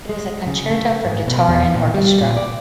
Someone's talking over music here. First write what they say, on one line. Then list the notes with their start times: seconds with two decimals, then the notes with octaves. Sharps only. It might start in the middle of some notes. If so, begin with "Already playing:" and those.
It is a "concerto" for guitar and orchestra.
0.09 G#3
0.47 C#3
0.71 A3
1.05 G#2
1.27 B2
1.48 E2
1.76 A#2
1.94 G3
2.21 A#2
2.37 D5